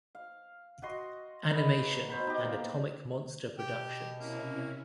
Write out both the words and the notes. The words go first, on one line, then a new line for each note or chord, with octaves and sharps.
Animation and Atomic Monster Productions.
F5
F#4 D#5 C6
D#4 B4
B2 C5 B5
D#4 G4
A#3
B2 G4 G5
C3 A#3 C#4 E4